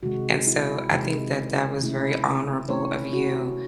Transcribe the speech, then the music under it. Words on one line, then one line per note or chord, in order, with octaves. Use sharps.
And so, I think that that was very honorable of you,
C3 D#3 G#3 F#4
E4
C3 D#3 G#3
C3 D#3 A3 C#4 E4
C3 D#3 A3 C#4 E4 C#5
F#4
F#4